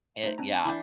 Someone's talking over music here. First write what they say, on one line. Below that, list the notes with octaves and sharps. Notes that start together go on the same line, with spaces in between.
it yeah.
A3 D#4 C5
C4 D4 A#5
E3 D4 B5 D6 G6